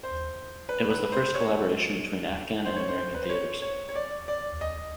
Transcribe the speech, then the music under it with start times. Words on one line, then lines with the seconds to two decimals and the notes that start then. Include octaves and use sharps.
It was the first collaboration between Afghan and American theatres.
0.03 C5
0.69 B4
0.90 B4
1.12 C5
1.35 C#5
2.65 C5
2.76 C#5
2.88 C5
3.15 B4
3.23 C5
3.29 C#5
3.62 C#5
3.89 C#5
3.95 D5
4.28 D5
4.61 D#5